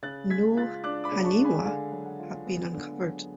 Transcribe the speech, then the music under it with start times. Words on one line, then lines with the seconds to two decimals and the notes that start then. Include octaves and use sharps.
No "haniwa" have been uncovered.
0.03 C#3 F#6 A6
0.30 G#3 G#6 B6
0.57 F4 F#6 A6
0.84 D4 D6 F#6
1.04 B5 D6
1.12 C#3
1.24 A5 C#6
1.38 G#3
1.45 G#5 B5
1.65 D3 F5 G#5
1.92 F#3
2.06 F#5
2.19 F4
2.46 B3
2.73 D3
3.00 F#3